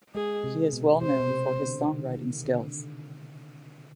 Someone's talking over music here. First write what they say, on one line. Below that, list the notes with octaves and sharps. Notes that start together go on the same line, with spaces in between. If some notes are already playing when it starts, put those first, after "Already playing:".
He is well known for his songwriting skills.
G#3 G#4
C3
B2
C3 C5
B2
C3
D3
D#3
C3
D3